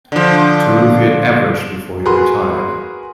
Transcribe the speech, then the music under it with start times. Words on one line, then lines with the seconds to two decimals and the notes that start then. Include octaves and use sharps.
Taruffi had averaged before he retired.
0.12 D3 F3
2.06 F#4 G#4 A#4 B4 C6